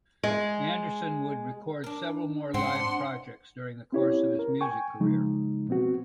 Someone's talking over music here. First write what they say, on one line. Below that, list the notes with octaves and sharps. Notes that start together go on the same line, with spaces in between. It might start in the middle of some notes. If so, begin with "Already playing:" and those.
Anderson would record several more live projects during the course of his music career.
G#3
D4 A#4
G#2 C4 F#5 C6
D4
C4 C#4 E4 G4 C#5
A#4
G5 G#5 C#6
C#3 F3 G#3 D#4
B2 B3 C4 F#4